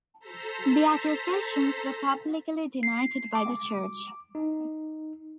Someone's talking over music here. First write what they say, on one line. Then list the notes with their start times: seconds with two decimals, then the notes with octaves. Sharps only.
The accusations were publicly denied by the Church.
0.20 A4 C5 A#5 B6
2.83 C7
3.35 D6
4.35 D#4